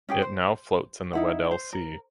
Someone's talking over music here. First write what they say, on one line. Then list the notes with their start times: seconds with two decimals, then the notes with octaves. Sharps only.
It now floats in the Weddell Sea.
0.09 C#4 G4 G#4 G5
0.22 C5
1.13 D#4 E4 F#5
1.51 C5
1.73 A#4